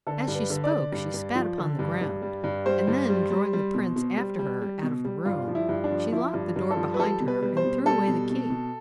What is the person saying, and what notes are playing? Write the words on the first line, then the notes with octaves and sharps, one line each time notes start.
As she spoke she spat upon the ground, and then drawing the prince after her out of the room, she locked the door behind her and threw away the key.
D3 A4
G2
B4
D3
D5
D3
G2
G2
F3
D3
G2
G2
G3
G2
G3 C5
G2
G3
G3
G3
B2
B2
G3
G3
G3
B2
G3
G2 F4
F3
E4
G2
D4
F3
F3 E4
G2
G2
A4
F3
B4
G3 A4
B2
B4
G3
C5
B2
G3 A4
B2
B2
B2